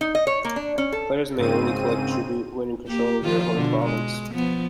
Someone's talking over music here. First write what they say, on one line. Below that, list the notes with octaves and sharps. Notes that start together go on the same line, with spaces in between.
Players may only collect tribute when in control of their home province.
D#4
D#5
C#5
A#3
D4
C#4
A4
G#2 C#3 C4 D#7
A#3 G4
D#3 F3 F4
B2 D3
G#3
F3 B3